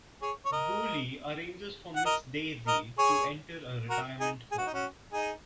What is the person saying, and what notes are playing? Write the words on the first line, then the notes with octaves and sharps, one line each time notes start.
Boolie arranges for Miss Daisy to enter a retirement home.
G#4 C#5
C#5
A#4 D#5
F#5
A#4 D#5
A#4 D#5
G#4 C#5
F#4 A#4
D#4 G#4
G#4
F#4
D#4
C#4 F#4
D#4 G#4